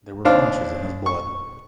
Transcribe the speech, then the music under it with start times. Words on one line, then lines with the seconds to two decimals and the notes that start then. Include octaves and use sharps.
There were flashes in his blood.
0.25 D#2 C4 D4 F5 F6
1.06 C#6